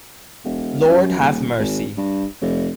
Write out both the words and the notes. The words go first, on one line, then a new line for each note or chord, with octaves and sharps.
Lord Have Mercy!
E1
F#2
D#1
G#1
G2
F1